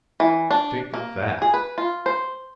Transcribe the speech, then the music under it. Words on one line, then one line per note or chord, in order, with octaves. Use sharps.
Think of that!
E3
D4
A#3
G#4
B4
F4
C5